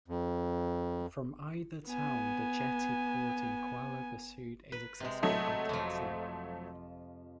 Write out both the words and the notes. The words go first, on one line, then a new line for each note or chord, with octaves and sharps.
From either town, the jetty port in Kuala Besut is accessible by taxi.
F2
B3 G#5
B4
C3 G#3
F#3 A3 D#5
F2 F3